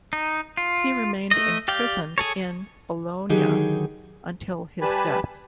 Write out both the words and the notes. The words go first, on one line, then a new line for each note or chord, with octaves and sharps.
He remained imprisoned in Bologna until his death.
D#4
F4
A3 D#5
G4 D5 F5 G5
G#4 A4 C#5
D3 D#3 F#3 D#4 G4 G#4
G3 G4 B4 G#5 A5 B5